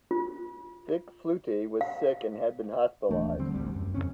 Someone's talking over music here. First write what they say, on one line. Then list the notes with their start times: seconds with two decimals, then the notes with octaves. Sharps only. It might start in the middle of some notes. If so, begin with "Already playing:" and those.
Dick Flutie was sick and had been hospitalized.
0.11 F4
1.81 F5
3.09 D#1 E3 A3 D4
3.39 D3 G3 C4
3.53 A1 D2 G3
3.76 F#2
3.94 F2 C#3 C4 C#4